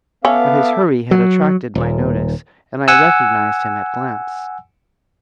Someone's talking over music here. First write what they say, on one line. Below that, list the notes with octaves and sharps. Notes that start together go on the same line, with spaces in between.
But his hurry had attracted my notice, and I recognized him at glance.
B3 C#4 A4 E5 F5 D6
F#3
D#1
F#5 G#5 E6